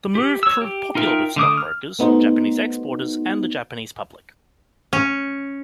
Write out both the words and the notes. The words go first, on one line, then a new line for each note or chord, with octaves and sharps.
The move proved popular with stock brokers, Japanese exporters, and the Japanese public.
G4
C#5 E6
G4
D#4 F4 A#4 E5 G5
D3 A3 D6 D#6
F6
A3 B3 D#4 F#4 C5
C#4